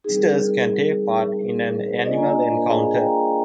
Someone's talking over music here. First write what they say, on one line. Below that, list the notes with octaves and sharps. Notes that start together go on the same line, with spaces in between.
Visitors can take part in an animal encounter.
G3 C4 D#4 G#4
A#4
A#4
A#4
A#4
C5
D#5
A#3 D4 F4 D5
G#5
A#5
G#5
C5
A#4
G#4
F5
G5
A#5